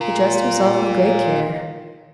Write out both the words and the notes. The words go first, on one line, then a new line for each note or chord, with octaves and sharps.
He dressed himself with great care.
F4 A#4